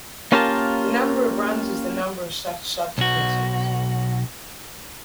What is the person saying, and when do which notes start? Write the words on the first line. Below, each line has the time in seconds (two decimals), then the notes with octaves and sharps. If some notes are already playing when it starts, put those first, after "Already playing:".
The number of runs is the number of such sub-sequences.
0.32 A#3 C#4 F4 G4 A#4 A5
2.98 B1 F#4